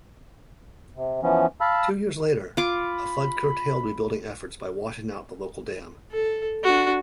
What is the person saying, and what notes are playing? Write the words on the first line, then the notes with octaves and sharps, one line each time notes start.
Two years later, a flood curtailed rebuilding efforts by washing out the local dam.
C3
E3 F3 B3 C#4
F5 A5 B5 E6
F4 B5 D6
A4
D4 F#4